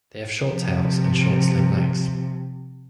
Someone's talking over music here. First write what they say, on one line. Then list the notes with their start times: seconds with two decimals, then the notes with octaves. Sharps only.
They have short tails and short slim legs.
0.40 C3 F3